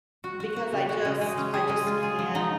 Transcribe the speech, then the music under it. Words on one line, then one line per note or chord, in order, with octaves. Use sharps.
because I just I just can't
F#4
F#4
F#4
C#3
F#4
C#3
G#3
C#4
G#4
G#3
F4
G#4
F3
D#4